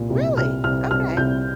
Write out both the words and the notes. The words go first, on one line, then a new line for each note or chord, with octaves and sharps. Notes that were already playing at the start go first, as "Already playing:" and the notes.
Really? Okay.
Already playing: C2 A#2
C2
C2 F6
C2 F6
C2 F6
C2 G6